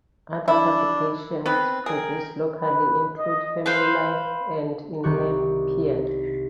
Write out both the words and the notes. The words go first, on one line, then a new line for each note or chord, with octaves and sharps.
Other publications produced locally include "Family Life" and "In Nepean".
D4 E4
B3 C4 B4
G#4 A#4 G5
B4
D#5
B4 C5 F5
C2 D#3 G4 C#6 F#6